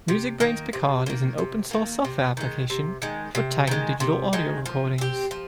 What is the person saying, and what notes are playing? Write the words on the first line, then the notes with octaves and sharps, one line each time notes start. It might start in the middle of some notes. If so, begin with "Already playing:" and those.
MusicBrainz Picard is an open-source software application for tagging digital audio recordings.
C3
D#3 A#3
C3
D#3 A#3
C3
D#3 A#3
C3
D#3 G#3
C3
D#3 G#3
C3
D#3 G#3
C3
D#3 G#3
F3
C4 G4
F3